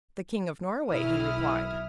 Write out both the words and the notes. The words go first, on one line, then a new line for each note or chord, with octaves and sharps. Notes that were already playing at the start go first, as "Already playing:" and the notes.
'The King of Norway,' he replied.
B1 E4 D#6 F6